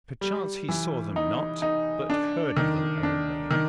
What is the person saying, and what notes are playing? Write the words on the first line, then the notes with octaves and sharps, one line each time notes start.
"Perchance he saw them not, but heard of them only."
G3
E3
D#4
D#4
D4
D#3
D4
D#3